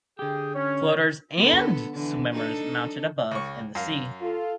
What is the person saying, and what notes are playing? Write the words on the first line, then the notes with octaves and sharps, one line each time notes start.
Floaters and swimmers mounted above in the sea.
D3 G4 G#4 G5
C#4 C#5
D3 B3 A4
D3 E3
D4 D#4 A4
C#2 C#6
F#2 F5
F4 A4